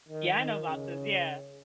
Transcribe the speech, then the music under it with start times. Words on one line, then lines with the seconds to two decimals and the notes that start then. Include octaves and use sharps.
Yeah, I know Maltas, yeah.
0.09 D#3
0.38 D#3
0.68 C#3